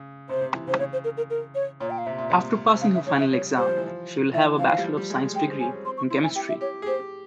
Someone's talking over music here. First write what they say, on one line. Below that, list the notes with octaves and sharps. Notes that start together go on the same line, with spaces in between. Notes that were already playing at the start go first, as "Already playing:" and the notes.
After passing her final exam she will have a bachelor of science degree in chemistry.
Already playing: C#3
C3 C5
C3
E3
C#3 C5
C#3 C#5
C5
A#4
A#4
A#4
C#5
A#2 C#5
G5
F5
C3 E5
A#2
C3
C3
C#3 F5
E5
F3 C#5
E5
G3 C#5
G3 C5
F3
E3
F3
E3 E5
F3 F5
G3
F3
G3
G#3
G#3 G5
C4
C#4 G#5
C4
C4 C6
C#6
E4 C6
G#5
G4 G5
E5
G4 C#5
G#4
G4 C5